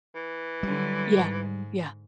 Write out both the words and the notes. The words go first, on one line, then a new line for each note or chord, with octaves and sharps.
Yeah, yeah.
E3
D3 F#3 G3
G#2